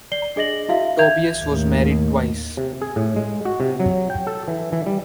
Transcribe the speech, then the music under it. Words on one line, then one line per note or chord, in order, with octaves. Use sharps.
Tobias was married twice.
D5 C7 G7
D4 G#4 D#5 A#6 F#7
E4 F#4 E5 F5
E5 G6 G#6 F7
D#2 A2
C3
G#4
A2
G#3
F#4
C3
F#3
G5
A4
E3
E3
G3